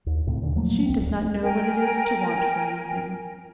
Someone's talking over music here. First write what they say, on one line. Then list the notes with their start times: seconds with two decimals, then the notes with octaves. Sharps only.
"She does not know what it is to want for anything."
0.06 D#2
0.27 C#2 A2 C3
0.42 D#2 A#2 D3
0.56 F3 F#3 A3 A#3
0.86 C2 C4
0.99 D1
1.43 A#4 G5 G#5